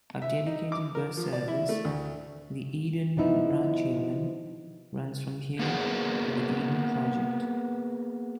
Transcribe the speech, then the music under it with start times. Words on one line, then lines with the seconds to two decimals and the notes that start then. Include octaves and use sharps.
A dedicated bus service, the Eden Branchline, runs from here to The Eden Project.
0.22 E5
0.47 D#4
0.72 D6
0.95 A#4
1.17 F3
1.33 D5
1.48 E4
1.69 A3
1.85 D2
3.17 F3 B3 D#4 E4
5.59 A#3 B3 F#4 G#4 A#4